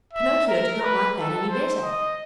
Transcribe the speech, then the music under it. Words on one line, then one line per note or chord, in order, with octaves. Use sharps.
But Pinocchio did not like that any better.
E5
A#4
B4
A4
C5
D#5